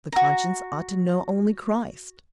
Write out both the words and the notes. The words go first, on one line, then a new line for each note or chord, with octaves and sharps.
The conscience ought to know only Christ.
F#4 A#5